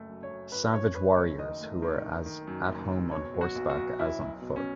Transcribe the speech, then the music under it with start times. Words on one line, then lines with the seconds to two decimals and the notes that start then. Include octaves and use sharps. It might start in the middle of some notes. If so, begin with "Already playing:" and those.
Savage warriors who were as at home on horseback as on foot.
Already playing: F#1 A3
0.09 F#2
0.23 C#5
0.31 F#2
0.52 F#2 B4
0.73 F#1 C#5
0.95 F#1 B4
1.16 F#1 C#5
1.38 D#3 D#5
1.61 A3
1.82 D#3
2.04 D#3
2.26 D#3
2.48 F#2
2.69 F#1
2.90 F#1
3.11 B2 C#5
3.34 F#3
3.41 F#4
3.56 B1
3.69 F#4
3.77 B1
3.99 B1 E4
4.21 B1
4.42 B2
4.56 C#4